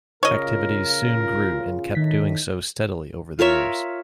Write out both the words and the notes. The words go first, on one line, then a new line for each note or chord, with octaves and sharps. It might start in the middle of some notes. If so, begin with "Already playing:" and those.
Activities soon grew and kept doing so steadily over the years.
C#3 F4 A#4 C#5 D#5
A2 D#3 D#4 B6
F4 A#4 C#5 E5